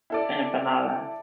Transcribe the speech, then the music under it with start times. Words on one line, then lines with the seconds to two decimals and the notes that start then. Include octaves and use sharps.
an empanada?
0.10 E4 A4 D5